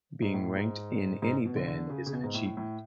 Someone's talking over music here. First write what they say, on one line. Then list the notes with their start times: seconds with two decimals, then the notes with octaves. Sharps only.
Being ranked in any band is an achievement.
0.22 G#2
0.34 A2
0.56 G#2
1.22 G#2
1.45 B2
1.56 D3
1.68 D3
1.90 C#3
2.07 C#3
2.13 B2
2.24 G#2
2.34 A2
2.45 A2
2.57 A2